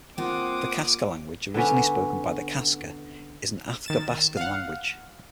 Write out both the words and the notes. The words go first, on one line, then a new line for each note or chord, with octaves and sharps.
The Kaska language originally spoken by the Kaska is an Athabaskan language.
A#3 C4 F4 F#5 D6 D#6
D3 B3 C#4
D#3 A6 E7
F5 F#5